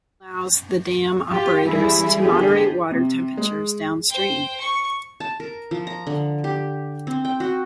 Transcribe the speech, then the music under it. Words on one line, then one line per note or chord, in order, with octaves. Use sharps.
This allows the dam operators to moderate water temperatures downstream.
F4 G4
E3 G3 E4 G#4
D3 B3 G4 G#4
C3
G#3
C5 G5
C#6
A5
A#4
F3
A#5
D3
G4
C4
G5
F#4